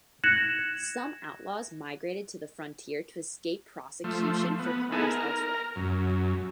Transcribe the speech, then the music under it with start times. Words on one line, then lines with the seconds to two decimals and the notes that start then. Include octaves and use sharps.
Some outlaws migrated to the frontier to escape prosecution for crimes elsewhere.
0.24 F#6 G#6 A#6 C#7 E7 F#7
4.04 F3 A3
4.59 B3
4.92 B3 D#4 E4 G#4 A4
5.06 A#4
5.76 F#2